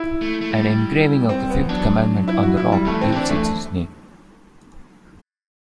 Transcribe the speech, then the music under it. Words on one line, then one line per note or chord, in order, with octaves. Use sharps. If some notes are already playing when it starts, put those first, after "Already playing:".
An engraving of the Fifth Commandment on the rock gives it its name.
Already playing: E4
A3
A3
G3
C4
B3
E3
F#3 D4
E4
F#4
E4
G3
F#3 A3
E3
D3 C4
E3 D4
A3